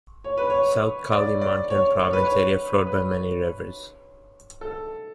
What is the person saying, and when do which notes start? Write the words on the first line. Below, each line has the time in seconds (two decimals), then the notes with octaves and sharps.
South Kalimantan province area flowed by many rivers.
0.24 C#5
0.37 B4
0.50 C#5
1.12 D5
1.41 D5
1.70 C#5
2.00 C#5
2.13 B4
2.26 C#5
2.87 B4
4.61 A4